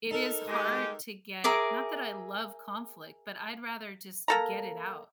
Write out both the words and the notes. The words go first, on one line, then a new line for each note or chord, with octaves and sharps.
it is hard to get not that I love conflict, but I'd rather just get it out,
D#4 A4 A#4
G#3 G4
G#4 A#4 E5 D6
A#3 A4 A#5